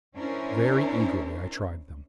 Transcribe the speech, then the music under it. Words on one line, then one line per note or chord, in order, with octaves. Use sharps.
Very eagerly I tried them.
C#4 D4 E4 A#4 C5